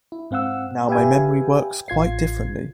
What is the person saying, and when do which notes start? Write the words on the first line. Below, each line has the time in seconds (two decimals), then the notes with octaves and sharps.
Now my memory works quite differently.
0.12 E4
0.31 G#2 C4 F5 F#5 E6
0.89 G4 B4 E5 F5 G5 G#5
1.88 A1 F4 G#6 C7